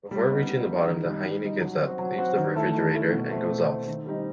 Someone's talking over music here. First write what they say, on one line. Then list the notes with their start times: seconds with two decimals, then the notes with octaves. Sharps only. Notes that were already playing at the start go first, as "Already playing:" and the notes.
Before reaching the bottom, the hyena gives up, leaves the refrigerator, and goes off.
0.11 G3
0.30 B3 D#4
0.49 G3
0.68 B3 D#4
0.87 D#3
1.05 G3 D#4
1.24 D#3
1.43 G3 D#4
1.61 F#3
1.81 C4 F#4
1.99 F#3
2.18 C4 F#4
2.37 D#3
2.56 A3 E4 A4
2.74 D#3
2.94 A3 E4 A4
3.12 B2
3.31 A3 C4
3.50 B2
3.68 A3 C4
3.87 D#3
4.06 G3 C4 D#4 G4